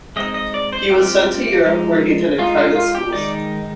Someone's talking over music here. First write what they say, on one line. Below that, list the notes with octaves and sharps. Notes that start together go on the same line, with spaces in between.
He was sent to Europe where he attended private schools.
G#3 C4 D#4 D#5
D#5
D5
C5
G#3 C4 F4 G4
F3 G#3 D#4
G#3 D#4 F4
F4
F4
G4
D#3 G#3 D#4 D5